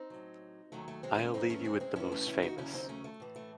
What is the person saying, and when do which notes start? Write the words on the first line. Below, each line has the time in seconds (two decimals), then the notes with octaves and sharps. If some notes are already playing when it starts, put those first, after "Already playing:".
I’ll leave you with the most famous.
Already playing: C4 D#4
0.10 A2 F#3
0.72 D#2 D#3 F#3 A3
0.88 A3
1.03 G#3 C4
1.15 C4
1.19 A3 C#4
1.34 F#2 E3 C4 D#4
1.50 A3 C#4
1.65 G#3 C4
1.80 G#3 C4
1.96 A2 E3 C#4 E4
2.12 A3 C#4
2.27 C#4 E4
2.43 D#4 F#4
2.58 D#2 C#3 F#3 C#4 E4
2.74 C4 D#4
2.89 A3 C#4
3.04 A3
3.20 A2 E3
3.36 A3